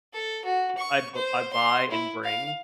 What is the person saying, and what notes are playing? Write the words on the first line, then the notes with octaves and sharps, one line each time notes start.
I b I buy and bring
A4
F#4
C#6
C5
C6
E4
F5